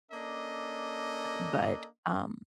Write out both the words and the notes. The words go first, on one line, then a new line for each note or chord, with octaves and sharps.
but, um,
A#3 C#4 D4 A4 D#5